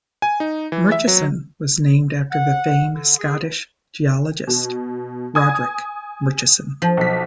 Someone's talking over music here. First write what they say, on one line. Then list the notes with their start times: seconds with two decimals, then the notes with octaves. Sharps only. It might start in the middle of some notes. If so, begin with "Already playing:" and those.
Murchison was named after the famed Scottish geologist Roderick Murchison.
0.22 G#5
0.40 D#4
0.72 E3
0.92 E5
1.07 F#3
2.31 F#5
2.95 D3
3.19 G#4
4.47 B2
5.35 G#5 D#6 G#6
6.82 F3
6.97 B1 B6